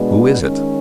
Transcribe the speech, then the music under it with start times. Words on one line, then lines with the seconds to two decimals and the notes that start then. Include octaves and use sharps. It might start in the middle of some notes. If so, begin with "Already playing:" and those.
"Who is it?"
Already playing: B2 G#3 B3 D4
0.40 D#3 G#3 C#4